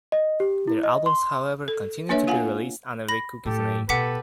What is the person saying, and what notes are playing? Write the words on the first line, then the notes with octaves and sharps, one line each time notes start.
Their albums, however, continued to be released under the Cookies name.
D#5
G4
E4
D#5
C6
A4
A#3 D4 B4 C#5 E5
F4 F5 F#5 G#5
B5 A#6
A2 G4 A4
B2 G4 A4 B4 F#5 D6 B6